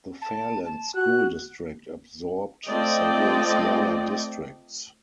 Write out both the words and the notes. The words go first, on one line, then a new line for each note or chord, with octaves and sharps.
The Fairland School district absorbed several smaller districts.
A5
A5
F#4 F#6
A3 C4 F4 D5 D#5 G5